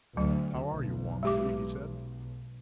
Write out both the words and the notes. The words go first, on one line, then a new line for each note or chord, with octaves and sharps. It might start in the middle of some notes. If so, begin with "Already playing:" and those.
"How are you, Walmsley?" he said.
D2 F#3
B1
G#3 G4 D6